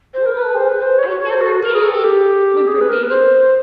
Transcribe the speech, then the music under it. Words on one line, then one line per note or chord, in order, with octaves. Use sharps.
"No, I never did," whimpered Davy.
C5
A#4
B4
C5
B4
C5
C#5
C#5
C#5
C5
F#4
A#4
G#4
A4
G4
G#4
B4
A#4
B4
C5